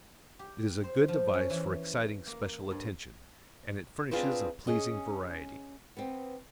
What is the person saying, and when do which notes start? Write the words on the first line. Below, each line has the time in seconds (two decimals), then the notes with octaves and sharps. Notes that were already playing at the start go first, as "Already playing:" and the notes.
It is a good device for exciting special attention, and it furnishes a pleasing variety.
0.39 G4
0.84 C5
1.08 F3
1.34 C#4
1.50 E3
2.27 A#3
2.71 G2
4.11 C4 D4 F4 G#4 B4 C5
4.67 C#4 G#4 D#5
5.97 B3 C4